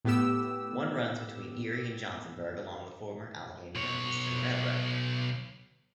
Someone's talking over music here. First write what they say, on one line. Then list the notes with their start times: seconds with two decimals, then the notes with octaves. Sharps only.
One runs between Erie and Johnsonburg along the former Allegheny and Eastern Railroad.
0.05 A2 B3 G4 E6
3.75 B1 C#5